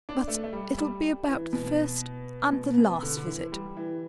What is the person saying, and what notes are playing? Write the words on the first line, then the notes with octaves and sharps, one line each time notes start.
But it'll be about the first and the last visit.
D4
A3
A3
G3
G3
E3
B2
B2
B2
D3
D3
E3
G3
E3